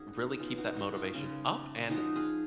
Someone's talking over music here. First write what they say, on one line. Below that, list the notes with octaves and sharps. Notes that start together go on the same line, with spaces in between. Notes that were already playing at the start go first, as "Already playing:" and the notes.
really keep that motivation up and
Already playing: D#3 A#3 C#4 F#4 G#4
D#4
D#4
B2 F#3 C#4 F4
D#4 F#4
D#4 F#4
F4
C#3 G#3 C#4
F3 G#3 C#4 D#4 F#4
F4 G#4